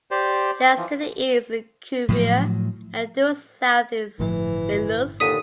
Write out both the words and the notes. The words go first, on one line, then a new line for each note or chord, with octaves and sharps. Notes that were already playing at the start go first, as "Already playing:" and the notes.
Just to the east is Cuvier, and due south is Lilius.
G4 C5 D5
E3 F3
A2 F3 F#3
G1 A2 E3 F3
D#2 A#2 D3 D#6 B6 D#7